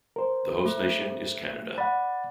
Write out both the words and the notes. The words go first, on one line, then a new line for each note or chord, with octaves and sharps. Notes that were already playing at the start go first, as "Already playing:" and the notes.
The host nation is Canada.
A#4 C5
A3
D5 F#5 B5